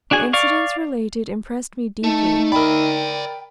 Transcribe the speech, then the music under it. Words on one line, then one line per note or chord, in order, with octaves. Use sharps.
The incidents related impressed me deeply.
D4 F#4 G#4 G#5
D5 F5 C#6
A3 D#4 A5
A#4 D5 E5 G5 B5